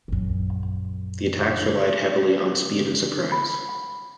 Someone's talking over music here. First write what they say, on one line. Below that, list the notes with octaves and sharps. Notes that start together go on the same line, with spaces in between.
The attacks relied heavily on speed and surprise.
A#1 F#2
B5